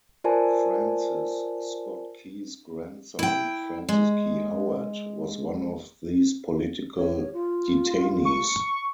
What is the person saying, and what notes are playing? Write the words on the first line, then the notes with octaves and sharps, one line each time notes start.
Francis Scott Key's grandson, Francis Key Howard, was one of these political detainees.
F4 A#4 C5 D5 G#5 A5
E4 G5
G#3
C#5
F4
C#6